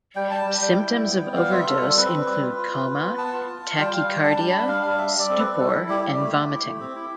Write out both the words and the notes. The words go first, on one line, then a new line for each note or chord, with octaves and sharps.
Symptoms of overdose include coma, tachycardia, stupor, and vomiting.
G3 G5
G3 A5
G3 G5
G3 G5
E4
G3
B3
B3
G3 F5
F4 E5
F4 A4
G3 A4
C4 B4
C4
G3
F4
F4
F4
F4
B3
B3 A5
F4
F4
F4
G3 G5
G3 F5
G3 G5
D4 A5
G3 A5
G3 B5
D4 F5
G3 F5
G3 E5
G3
D5
C4 A4
B4
G3
G3 A4
E4
G3 G4
G3
A3
A3
E4
A3
C4
E4